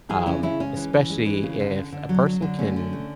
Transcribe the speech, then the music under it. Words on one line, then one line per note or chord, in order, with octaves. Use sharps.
um, especially if a person can
E3 E4 G#4
C#3 C#4 E4
C#3 C#4 E4
G#3 C#4
E3
E3
G#3
E3
C#3
D3
D3
D3
F#3
F#3
D3
A3 C#4
D3
A3